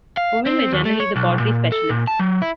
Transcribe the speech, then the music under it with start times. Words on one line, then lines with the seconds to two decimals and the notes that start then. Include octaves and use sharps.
Women were generally the pottery specialists.
0.17 F5
0.46 C4
0.73 D#2
0.85 A3
1.00 C#5
1.16 B1
1.40 A#2
1.72 A4
1.90 A#2
2.07 A5
2.19 F#3
2.42 E4